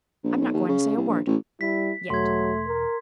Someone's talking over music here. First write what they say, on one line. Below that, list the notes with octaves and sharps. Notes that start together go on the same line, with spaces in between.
I'm not going to say a word--yet.
A#1
B1
D#2
C#3
C2
A#1
A1
G3 E4 B6
E1 F#3 A3 C6 G#6
A#4